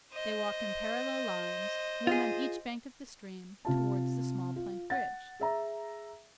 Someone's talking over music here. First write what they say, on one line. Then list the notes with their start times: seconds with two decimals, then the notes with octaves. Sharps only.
They walked in parallel lines, one on each bank of the stream, towards the small plank bridge.
0.13 C5 D#5
2.07 F4 G#4
3.65 C3 F4 A5
4.56 F4
4.90 F#5 A6
5.40 G#4 E5 A#5